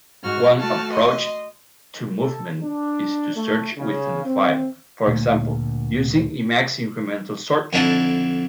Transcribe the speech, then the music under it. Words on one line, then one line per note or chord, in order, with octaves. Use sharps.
One approach to movement is to search within the file, for example using Emacs incremental search.
G#2 F#4 F6
A3 F#4 A5 F6
D#5 C6
A4
D4
A3
C#3
C4
D2 A#2 A3
F2 D3 D4 E4 A5